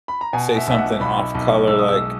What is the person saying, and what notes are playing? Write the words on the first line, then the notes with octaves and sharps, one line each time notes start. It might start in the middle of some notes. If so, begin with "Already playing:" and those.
say something off color like,
B5
A#5
B2 G#5
E5
B1 E5
F#5
B1 B5
B1
G#3 E6
D#6
E6